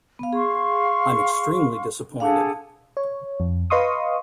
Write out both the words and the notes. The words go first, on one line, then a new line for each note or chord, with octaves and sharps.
I'm extremely disappointed.
B3 F5
G#4 F5 C6 C#6
D4 G#4 A4 F5 F#5
C#5
F2
B4 D#5 F5 C6 C#6 D#6